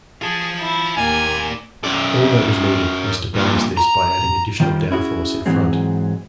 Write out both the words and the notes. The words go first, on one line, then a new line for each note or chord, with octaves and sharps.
All that was needed was to balance this by adding additional downforce in front.
F4 G#4 A5
E4
D#2 A#3 D5 F5 G5 G#5
F#2 D5
G2 A#2
A#5
D#3 G3 F4 C5 G5
C#4 E4 F#4 G#4
G#2 E3 F#3 G#3 C4